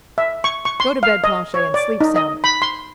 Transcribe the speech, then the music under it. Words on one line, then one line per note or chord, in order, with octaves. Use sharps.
"Go to bed, Planchet, and sleep soundly."
E5
C#6
C#6
C6
F5
D#5
C#5
D5
D#4
D#5
B5
C6